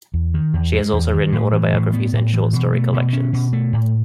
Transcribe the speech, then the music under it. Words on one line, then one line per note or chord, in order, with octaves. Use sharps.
She has also written autobiographies and short story collections.
E2
D#3
E2
G#3
E2
D#3
A2
E3
A2
B3
A2
E3
B2
A3
B2
C#4
B2
A3
A2